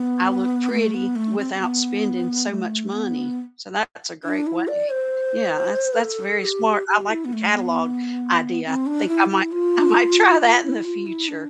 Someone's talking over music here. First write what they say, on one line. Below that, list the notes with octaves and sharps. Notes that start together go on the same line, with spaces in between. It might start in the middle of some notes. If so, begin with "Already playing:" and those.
"I look pretty" without spending so much money. So that that's a great way. Yeah. That's that's very smart. I like the catalog idea. I think I might I might try that in the future.
Already playing: B3
A3
B3
A3
C4
C4
B3
A3
B3
D4
E4
D5
C5
B4
A4
G4
G4
E4
B3
A3
B3
C4
D4
E4
E4
F4
F4
E4
F4
E4
D4